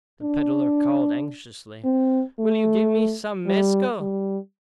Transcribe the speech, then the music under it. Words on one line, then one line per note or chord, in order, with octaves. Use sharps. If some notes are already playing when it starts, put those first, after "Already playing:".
The peddler called anxiously, "Will you give me some mescal?"
D4
C4
A3
G3
G3